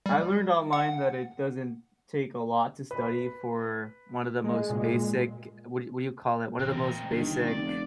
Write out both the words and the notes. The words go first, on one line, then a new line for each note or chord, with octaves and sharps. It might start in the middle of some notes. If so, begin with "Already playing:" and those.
I learned online that it doesn't take a lot to study for one of the most basic, what what do you call it, one of the most basic
G3
F#5
B4
G#3
A#2
A#2 E3 C4 A#4
G1 D3 D#3
F1 D5